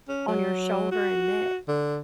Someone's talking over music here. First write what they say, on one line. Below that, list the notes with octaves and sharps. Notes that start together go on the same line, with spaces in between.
on your shoulder and neck,
C#4
F#3
F#4
D3